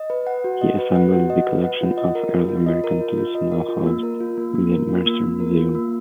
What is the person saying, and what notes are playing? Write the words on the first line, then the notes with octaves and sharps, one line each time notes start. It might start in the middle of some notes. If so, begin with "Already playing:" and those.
He assembled the collection of early American tools now housed in the Mercer Museum.
Already playing: D#5
B4
F#5
F#4
D#5
B4
F#5
F#4
D#5
B4
F#5
F4
D#5
A#4
F4
F4
D#5
A#4
F4
F4
D#5
A#4
F4
A#3
A#4
F4
A#3
A#3
A#4
F4
A#3
A#3
A#4
F4
A#3